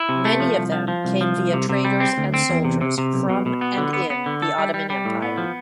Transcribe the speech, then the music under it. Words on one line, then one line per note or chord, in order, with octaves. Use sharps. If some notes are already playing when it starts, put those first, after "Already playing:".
Many of them came via traders and soldiers from and in the Ottoman Empire.
Already playing: E4
C3
A3
F3
C2
F3
F3
C2
F3
C2
C3
C3
G3
C4
D2
C4
E2
C3
C3
C3
B1
B2
B2
B3
D3
B3
B3
D3
A4
G3
G3
G3
A2
B3
F3